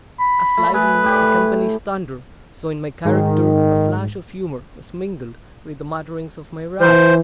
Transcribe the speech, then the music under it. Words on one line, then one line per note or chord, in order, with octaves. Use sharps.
As lightning accompanies thunder, so in my character a flash of humour was mingled with the mutterings of my wrath.
B5
A3
G#4 B4
A2 G4
G#2 D#3 G#3
E3 C5